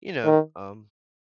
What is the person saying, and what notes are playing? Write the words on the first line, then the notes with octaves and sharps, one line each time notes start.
you know, um
D#3